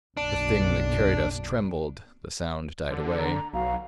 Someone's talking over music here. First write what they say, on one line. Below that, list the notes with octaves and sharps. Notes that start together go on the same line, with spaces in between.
The Thing that carried us trembled--the sound died away.
F#1 B1 D4
D3
A#5
B1 F#4 F5 A#5